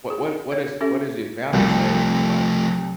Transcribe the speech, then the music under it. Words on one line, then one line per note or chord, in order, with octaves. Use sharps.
What what what does what does your family say about your cooking?
G#4
C#5
C#4 G4 A4 E5
C2 F3 A3